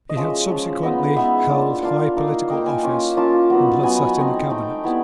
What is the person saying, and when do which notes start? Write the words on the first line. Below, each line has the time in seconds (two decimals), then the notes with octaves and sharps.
He had subsequently held high political office, and had sate in the Cabinet.
0.09 D#5
0.16 F3 G#3 C#4 E5
0.50 F3 G#3 C#4
0.82 G#3 B3 D#4 D#5
1.16 G#3 B3 D#4 E5
1.50 A#3 D4 F4
1.83 A#3 D4 F4 F5
2.17 A#3 D#4
2.50 A#3 D#4 G5
2.66 G#5
2.83 A#3 C#4 F4
3.17 A#3 C#4 F4 A5
3.50 F#3 B3 D#4
3.83 F#3 B3 D#4 G#5
4.17 A3 C4 D#4
4.50 A3 C4 D#4 G5
4.84 G3 B3 E4